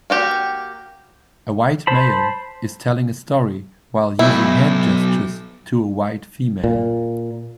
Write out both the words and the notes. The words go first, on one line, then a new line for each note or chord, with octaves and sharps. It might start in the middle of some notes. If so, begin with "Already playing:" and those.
A white male is telling a story while using hand gestures to a white female.
A#3 F#4 G4
C5 A5 B5
B1 E4
A#2